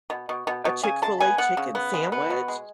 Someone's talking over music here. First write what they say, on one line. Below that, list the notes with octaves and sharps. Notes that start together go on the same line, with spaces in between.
a Chick-fil-A chicken sandwich.
B2
B2
B2
B2
C#3 G#5
G#3 A5
B3 G#5
B3 F#5
C#3
B3
G#3
B3
B2
G#3